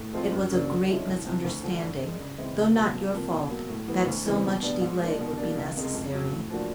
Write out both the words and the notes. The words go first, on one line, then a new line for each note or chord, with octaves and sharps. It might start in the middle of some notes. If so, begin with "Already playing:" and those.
It was a great misunderstanding, though not your fault, that so much delay would be necessary.
Already playing: A2
F3 G#3 C4 F4
F#2
C#3 F#3 A#3 D4
D3
F3 G#3 C#4 E4
C2
C3 F3
D2
D3 F3
G2
D#3 G#3
C#3
E3 G#3 C4 E4
C#2
B2 F#3
C#2
C3 F3 A#3
B2
F#3 A#3
A2
E3 G3 B3
D2
C#3 E3 G3 C4
B2
G3 B3 D4
G#2
F3 A#3 D4
B2
G3 A#3 D4
C#2
C3 D#3 G#3
F2
C#3 F#3
A2
F3 A#3 D4 F#4